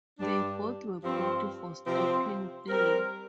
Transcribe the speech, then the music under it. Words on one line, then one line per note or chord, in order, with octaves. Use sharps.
They both were booked for stopping play.
G2 G3 D4
G2 F3 C4
C3 F3 C4
G3 C4 A#4